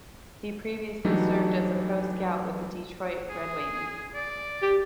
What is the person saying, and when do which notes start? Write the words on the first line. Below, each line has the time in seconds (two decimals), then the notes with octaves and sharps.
He previously served as pro scout with the Detroit Red Wings.
1.05 E3 F#3 G3 A3 D4 D#4
3.29 G#4
4.14 D5
4.62 G4